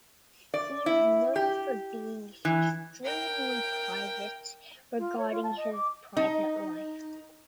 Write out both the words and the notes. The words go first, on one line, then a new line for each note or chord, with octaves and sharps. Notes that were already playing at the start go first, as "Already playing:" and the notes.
He is known for being extremely private regarding his private life.
D5
E4
G4
E3
A#4 G5
F4
C#5
F4
A5
D#5
D6
D#4